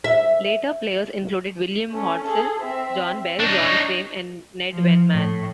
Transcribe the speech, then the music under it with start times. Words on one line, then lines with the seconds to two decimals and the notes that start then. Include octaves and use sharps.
Later players included William Hodsoll, John Bell, John Frame and Ned Wenman.
0.04 E5
1.91 A3 C#4
2.25 G#4 A4
2.60 C4 E5
3.40 D4 D#4 C#5
4.72 F3
5.12 A2